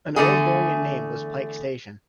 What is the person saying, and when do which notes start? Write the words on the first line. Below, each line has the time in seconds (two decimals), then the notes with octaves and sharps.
An old variant name was Pike Station.
0.16 E2 D3 A3 G#4